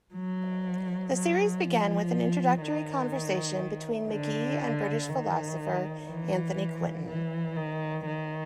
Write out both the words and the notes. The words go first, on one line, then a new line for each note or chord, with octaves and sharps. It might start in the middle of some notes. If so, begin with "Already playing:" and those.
The series began with an introductory conversation between Magee and British philosopher Anthony Quinton.
F#3
F#3
F3
D#3
D3
D#3
E3
E3
D#3
D#3